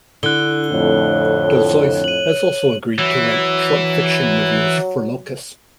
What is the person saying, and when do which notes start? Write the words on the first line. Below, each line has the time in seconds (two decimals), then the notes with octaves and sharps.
Dozois has also agreed to write short fiction reviews for "Locus".
0.23 D3 E4 F#6 G7
0.71 F2 A2 C#5
2.04 D#7 F#7
2.98 E3 F#3